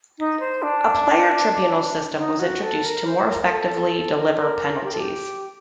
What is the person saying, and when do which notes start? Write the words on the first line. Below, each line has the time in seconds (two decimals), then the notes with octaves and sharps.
A player tribunal system was introduced to more effectively deliver penalties.
0.19 D#4
0.40 C5
0.63 D4
2.18 D#4
2.40 F#4
2.62 A4
2.85 A#4
3.06 C5
3.29 A#4
3.45 A#4
3.51 A4
4.17 A#4
4.27 A4
4.37 A#4
4.84 G4
4.92 A4
5.00 G4